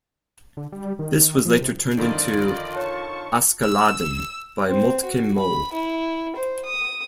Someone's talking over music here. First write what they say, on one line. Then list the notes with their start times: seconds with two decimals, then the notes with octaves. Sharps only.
This was later turned into "Askeladden" by Moltke Moe.
0.57 D3
0.72 G3
0.99 D#3
1.13 D#3
1.45 F3
1.61 C3
1.97 F2 D3 D#3 F4 D5 D#5
2.76 C#5 A5 C#6
3.61 E6
4.68 C4
5.05 F#4
5.38 B5
5.73 E4
6.36 C5
6.65 D#6